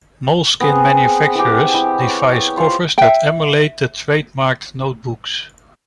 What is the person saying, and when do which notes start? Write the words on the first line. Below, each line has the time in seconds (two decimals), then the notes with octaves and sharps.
Moleskine manufactures device covers that emulate the trademarked notebooks.
0.60 B3 C4 G#4
1.35 E3 G4
1.74 E4
2.00 C#5
2.57 F4 C5 F5 C6
2.98 E5 G5